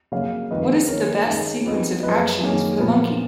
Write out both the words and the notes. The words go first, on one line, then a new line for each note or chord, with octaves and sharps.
What is the best sequence of actions for the monkey?
C#3 F#3 A#3 C#5 F5
F2 D#3 G#3 B4 D#5
D#3 A#3 C#4 A#4 C#5
D#3 G#3 C#4
F2 F3 B3 D#4
F#2 F3 G#3 B4 D#5
F#2 D#3 A#3 C#4 G#4
A#2 F3 B3 A#4